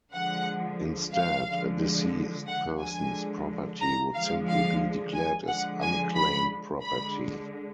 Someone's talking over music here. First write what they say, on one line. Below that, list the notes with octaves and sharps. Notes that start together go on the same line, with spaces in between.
Instead, a deceased person's property would simply be declared as unclaimed property.
D3 F3 G#3 F#5
F5
D3 F3 G#3
F#5
D3 F3 G#3 G#5
A#5
D3 F3 G#3 F5
F5
G#5
D3 F3 G#3 F#5
G#5
B5
D3 G#3 B5